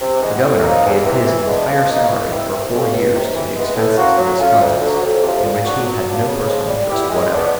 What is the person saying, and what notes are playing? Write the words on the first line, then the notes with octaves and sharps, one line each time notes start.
The Governor gave his entire salary for four years to the expenses of this contest, in which he had no personal interest whatever.
C3
E3 G#3 B3
A2
F3 A#3 D#4
E2
C3 E3
E3
G#3 B3 D4
F3
A#3 D#4
E3
G3 C4 E4
C2
C3 F3 A3 C#4
C#2
C3 D#3
E3
G#3 B3
A2
F3 A#3 C#4 F#4
F#3
A3 C#4 F4
D2
D3 F#3
F2
C3 F3
A#2
F#3 B3 D4 F#4
F#3
B3 D4 F4
C#3
F3 G#3
G3
B3 E4 G4
G#3
B3 D4